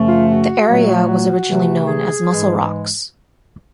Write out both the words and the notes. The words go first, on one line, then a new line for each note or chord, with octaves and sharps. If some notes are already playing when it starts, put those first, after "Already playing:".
The area was originally known as Mussel Rocks.
Already playing: F#2 C#3 F3 A3
F4
F#4
A#2 F#3 A3
F#4
C3 E3 A3
G#4
G#2 E3 G#3